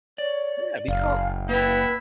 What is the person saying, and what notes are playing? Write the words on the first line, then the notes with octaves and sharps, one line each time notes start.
Yeah, the e well,
C#5 D5
F#1 F5
A#3 E4 B4 G5